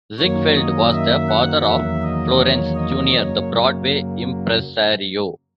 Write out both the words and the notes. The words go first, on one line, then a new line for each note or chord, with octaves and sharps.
Ziegfeld was the father of Florenz Junior the Broadway impresario.
F#2 D#3 F#3 A#3 C#5
D#5
E5
F#5
E2 D#3 F#3 A#3 E5
D#5
C#5
D#5
F#2 C#3 F#3 A#3 C#5